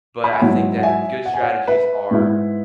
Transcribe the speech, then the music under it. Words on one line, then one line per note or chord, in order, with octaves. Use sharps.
but I think that good strategies are,
B5
G#5
G#2 F#3 E4 C#5 F#5
F#5
E5 G#5
F#5
G#5
C#5 F#5
B4 E5
G#2 G#3 B3 E4